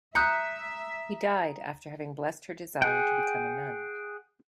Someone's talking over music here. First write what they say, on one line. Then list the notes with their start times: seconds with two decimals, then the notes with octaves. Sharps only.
He died after having blessed her desire to become a nun.
0.15 E5 A#5 D#6 F#6 G6 C#7
2.82 G#4 F#5 G5